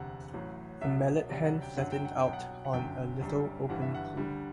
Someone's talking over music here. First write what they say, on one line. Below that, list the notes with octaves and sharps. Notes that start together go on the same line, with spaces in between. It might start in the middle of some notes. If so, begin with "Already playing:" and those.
A mallard hen flattened out on a little open pool.
Already playing: E1 D2 C3 F#5
A1 A2 F#3
C2 B2 F#3 E5
D2 C3 F#3 D5
F#5
G5
F#1 F#2 D3 F#3 F#5
G5
F#5
G5
C2 B2 F#3
F#5
F#5
G1 F#2 D3 F#3 G5
F#1 F#2 D3 G3
G1 G2 E3 G3 F#5
E5
F#5
D2 D3 G3